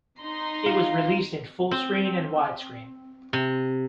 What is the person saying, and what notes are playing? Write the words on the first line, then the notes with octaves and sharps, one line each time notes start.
It was released in Full Screen and Widescreen.
D#4 A#5 C6
F4
C4
C3